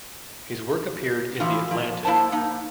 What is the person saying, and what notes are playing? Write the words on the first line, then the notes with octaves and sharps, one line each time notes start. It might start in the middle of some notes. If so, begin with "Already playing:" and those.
His work appeared in the "Atlantic".
E3 F3 E4 F4
F3
A#3 E4 C5 A5
A#3 D#4